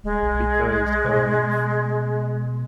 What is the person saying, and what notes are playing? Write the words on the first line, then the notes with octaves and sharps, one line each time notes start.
because of,
D#1 G#3
B1
B2